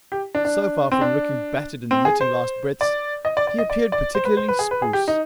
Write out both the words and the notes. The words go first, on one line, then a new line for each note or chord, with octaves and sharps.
So far from looking battered and emitting last breaths, he appeared particularly spruce.
G4
D4
D4
C4
D4
C4
G#4
C5
D5
D#5
D5
D5
D#5
D5
D5
C5
B4
C5
B4
G#4
B4
G#4
G4
D#4